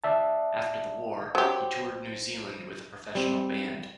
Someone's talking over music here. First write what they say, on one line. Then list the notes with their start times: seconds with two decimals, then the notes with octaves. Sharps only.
After the war, he toured New Zealand with a professional band.
0.04 D5 E5 A5
1.35 F#3 G4 C5
3.15 G3 C4